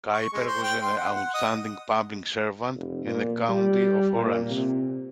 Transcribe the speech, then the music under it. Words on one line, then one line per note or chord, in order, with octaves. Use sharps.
Kuyper was an outstanding public servant in the County of Orange.
C#6
G#3
C5
G5
C6
F#5
F#5
D#5
F1
A#2
G3
A#2
C3